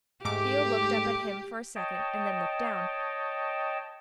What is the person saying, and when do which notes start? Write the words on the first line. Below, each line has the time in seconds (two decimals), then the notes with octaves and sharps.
Theo looked up at him for a second, and then looked down.
0.25 G#2 A3 G4 D6
1.76 C#5 D#5 G5 A5